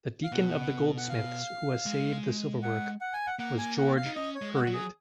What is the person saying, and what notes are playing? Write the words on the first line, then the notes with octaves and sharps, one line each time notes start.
The Deacon of the Goldsmiths who assayed the silver work was George Heriot.
F5
B2 F#5
F#5
F5
G#3
F#5
F#5
G#5
F#5
A#3 F#5
G#5
F#5
F5
D#4
C#4 D#5
C#5
G#3
F#4
F#3
G#4